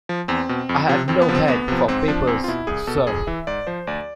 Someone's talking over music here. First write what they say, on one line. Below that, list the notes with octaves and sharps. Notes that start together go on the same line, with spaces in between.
I have no head for papers, sir.
F3
E2 C4
B2
F2
C3 F3
F2 C4
B3
C3 F3
C4
D2 B3
C3 F3
G#2 C4
F3 D4
E2 C4
F4
B2 E4
C2 G#4
B2 A4
F2 G#4
E3 E5
G#2 D5
F3 C5
D2 D5